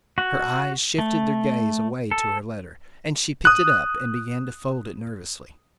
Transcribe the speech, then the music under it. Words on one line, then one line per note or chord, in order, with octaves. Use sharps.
Her eyes shifted their gaze away to her letter, and she picked it up and began to fold it nervously.
F#4
A3
A4
D#6 F#6